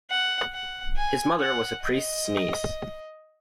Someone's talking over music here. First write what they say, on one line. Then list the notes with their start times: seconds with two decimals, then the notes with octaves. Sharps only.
His mother was a priest's niece.
0.10 F#5
0.53 F#5
0.97 G#5
1.41 F#5
1.83 D#5